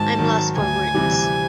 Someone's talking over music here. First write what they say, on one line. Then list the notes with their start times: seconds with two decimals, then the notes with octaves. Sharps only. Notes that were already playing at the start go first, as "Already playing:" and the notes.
I'm lost for words.
Already playing: G#2 D#3 F#3 A5
0.19 D#3 F#3
0.57 D2 G#5
0.94 C3 E3 G3